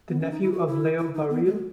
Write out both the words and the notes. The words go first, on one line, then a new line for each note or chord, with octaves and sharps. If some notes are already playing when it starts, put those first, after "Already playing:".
The nephew of Leo Barrile.
B3
C#4
D#4
E4
F#4
E4
E4
D#4
B3
G#3